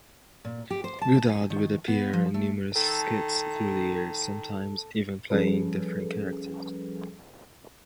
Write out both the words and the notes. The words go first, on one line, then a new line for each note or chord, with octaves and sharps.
Goddard would appear in numerous skits through the years, sometimes even playing different characters.
A#2
G4
C5
A5
G#5
D#3
B3
F3
A3
D#3 A4
F3 G3 C#4 G#4 A4 B4